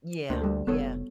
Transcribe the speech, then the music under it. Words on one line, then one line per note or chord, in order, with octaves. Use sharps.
Yeah, yeah.
D2 A#3 D4 C5
G3 A4
F1 B3 A4 C#5